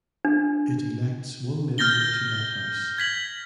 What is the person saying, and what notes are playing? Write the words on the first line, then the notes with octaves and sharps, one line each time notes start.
It elects one member to that house.
D4
F6 G6 A6 A#6 G7
G#6 B6 F#7